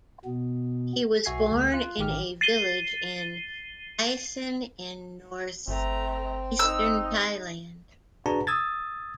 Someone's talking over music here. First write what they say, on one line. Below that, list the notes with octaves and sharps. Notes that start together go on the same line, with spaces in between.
He was born in a village in Isan in northeastern Thailand.
B2 B3
B1 F#4 E5 G#5 G#6 C7
D2 G#3 A3
F4 F#6
A1 D#3 G4 F6
A6 C7 D#7 G7
G1 A3 C4 A#5
D#4 E6
D4 F#4 G#4 B4 A5 A#5
D#6 E6 G#6 A6